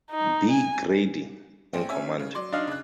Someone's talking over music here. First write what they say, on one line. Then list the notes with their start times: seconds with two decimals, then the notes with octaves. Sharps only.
B. Grady in command.
0.11 D#4
0.51 G#5
1.73 A#1 C4
1.89 C#4 E5 G#5
2.19 C#3
2.35 F#3 D5 C6
2.53 D4 D#4 F5
2.67 C#3 F#6